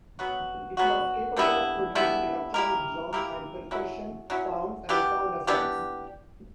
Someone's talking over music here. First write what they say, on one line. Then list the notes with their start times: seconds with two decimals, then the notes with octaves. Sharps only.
It was capable of producing electronic drum and percussion sounds and sound effects.
0.19 F#3 B3 F#4
0.77 F#3 B3 F#4
1.37 D3 G3 B3 E4
1.95 D3 G3 B3 E4
2.54 A#3 E4 G4 A#4
3.13 A#3 E4 G4 A#4
3.71 F#3 C#4 E4
4.30 F#3 C#4 E4
4.89 E3 B3 D4 G4
5.47 E3 B3 D4 G4